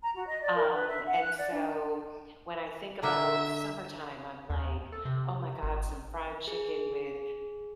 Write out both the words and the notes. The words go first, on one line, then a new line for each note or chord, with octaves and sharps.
Um, and so, when I think about summertime, I'm like, "Oh my god, some fried chicken with
A#5
F#4
D#5
D5
A#4
B4
E5
F#5
F#6
D5
D4
D3 A#4 E5
D#2
A4
C3
G#1
G#4